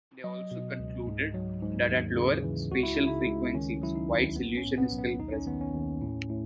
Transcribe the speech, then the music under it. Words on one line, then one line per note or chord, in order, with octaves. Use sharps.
They also concluded that at lower spatial frequencies White's illusion is still present.
F#3 D#5
B2
C#2
G#2
F#3
G#2
D#2
C#3
E3
C#2 F#4
E4
C#3 D#4
E4
C#2
D#3 C#4
F#3 E4
D#4
D#2
B1 B3
C#4
A2
B3
B1
B3
D#2 D#4
C#4
D#3 B3
C#4
D#2
A2
A2